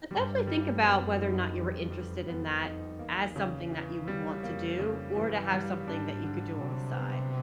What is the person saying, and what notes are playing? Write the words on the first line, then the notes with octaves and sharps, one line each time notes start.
So, definitely think about whether or not you were interested in that as something that you would want to do, or to have something that you could do on the side.
G2 G3
G3
F#2 B3
D#4
F2 G3
G3
F2 B3
D#4
E2 A#3
C#3
E3
G3
F2 A#3
C#3
G2 E3
G3
G#2 D4
D3
C3 F#3
B3